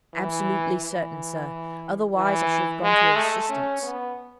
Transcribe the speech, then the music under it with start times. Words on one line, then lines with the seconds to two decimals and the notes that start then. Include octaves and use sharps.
"Absolutely certain, sir, otherwise I should have gone to her assistance."
0.14 E3
0.81 E3
2.15 E3
2.83 G#3
3.16 A3
3.49 C#4
3.83 B3